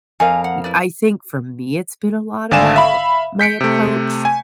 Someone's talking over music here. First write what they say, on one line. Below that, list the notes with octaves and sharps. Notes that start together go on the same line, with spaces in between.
y I think for me, it's been a lot about my approach,
F2 A#4 F5 G#5
F#5
E4 B4 D5
G#1 D3 D5 F5 G#5 E7
E5 F5 B5
G6 B6 C#7 D7
C3 A3
G#5